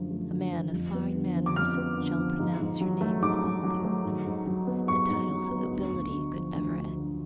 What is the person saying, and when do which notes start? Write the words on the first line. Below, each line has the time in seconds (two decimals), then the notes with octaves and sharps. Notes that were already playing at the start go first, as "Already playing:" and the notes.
A man of fine manners shall pronounce your name with all the ornament that titles of nobility could ever add.
Already playing: F#2 D3 F3 A3
0.11 A3
0.32 D3
0.52 F3
0.73 F2
0.94 B3
1.15 D3
1.35 F3
1.46 D6
1.56 F2 F6
1.77 B3
1.98 D3
2.18 F3
2.39 G#2
2.60 G#2
2.81 F#3
3.01 A3
3.22 G#2 D6
3.43 G#2
3.63 F#3
3.84 A3
4.05 G#2
4.26 G#2
4.46 F#3
4.67 B3
4.88 G#2 C#6
5.09 G#2
5.30 F#3
5.51 B3
5.71 D2
5.92 D2
6.12 D3
6.33 F3
6.54 D2
6.74 D2
6.95 D3